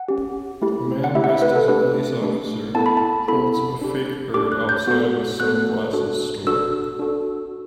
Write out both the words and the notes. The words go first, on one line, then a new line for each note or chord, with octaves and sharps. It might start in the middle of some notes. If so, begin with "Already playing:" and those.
A man dressed as a police officer holds a fake bird outside of a sunglasses store.
Already playing: F#5
C#4 G4
A3 E4 G4
F#5
A3 E4 G4 E5
F#5
E5
B4
A4
A3 D4 G4 B4
A3 D4 G4
B3 E4 A4 A5
B5
A5
B3 E4 A4 B5
D4 G4
D4 G4 D6
F#6
G6
B3 F#4 A4
B3 F#4 A4 F#6
D4 F#4 A4
D4 F#4 A4 E6
D4 F#4 A4